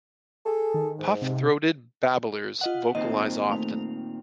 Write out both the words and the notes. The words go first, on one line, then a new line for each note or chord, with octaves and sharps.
Puff-throated babblers vocalize often.
G#4 A4
D#3
G#2
C3
F4 D#5 F#5
A#2 D#3 C4 D#5
A3 F7